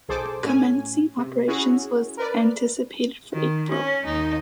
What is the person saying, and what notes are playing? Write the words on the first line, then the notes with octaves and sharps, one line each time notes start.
Commencing operations was anticipated for April.
B1 G#4 A4 C5 D6
A2 C#4 G#5
C3
C#4 E4 F#4 G#4
A#4 B4 D5
D#3
C#4
D#2 D#4